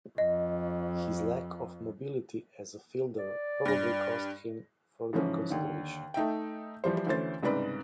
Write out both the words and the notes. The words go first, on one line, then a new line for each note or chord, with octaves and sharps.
His lack of mobility as a fielder probably cost him further consideration.
F2 D#5
D5
G2 A#6
G#2 C#3 E3 F3 C#4
D#2 D3
A3 D#4 E5 G5
E3 F3 G3 C5
D2 E3 C#4 C5 A6
C2 G#2 C#3 B4 D5 B5